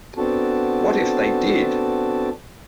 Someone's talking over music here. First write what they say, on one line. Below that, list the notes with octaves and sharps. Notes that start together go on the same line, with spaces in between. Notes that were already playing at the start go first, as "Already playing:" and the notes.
What if they did!
B3 C4 D4 F#4 A4 A5